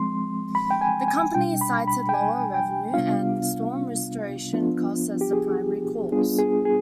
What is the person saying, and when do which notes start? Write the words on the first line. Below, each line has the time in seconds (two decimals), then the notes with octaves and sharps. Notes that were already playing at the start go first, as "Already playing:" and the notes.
The company cited lower revenue and storm restoration costs as the primary cause.
Already playing: F3 G#3 C4 C6
0.55 B5
0.71 G5
0.81 G#5
1.08 G#5
1.35 B2 G3 D4 G5
1.61 B5
1.87 B5
2.09 G5
2.14 G#5
2.54 G5
2.94 C3 G3 B3 D4 F4 F5
4.53 F3 B3 D4 F4
5.21 G4
5.33 G#4
6.12 G3 B3 D4 F4 G#4
6.39 G#4
6.65 G#4